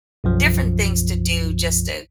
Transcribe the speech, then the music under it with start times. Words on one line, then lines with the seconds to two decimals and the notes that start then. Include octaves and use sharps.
different things to do just to
0.24 B1 F#2 F3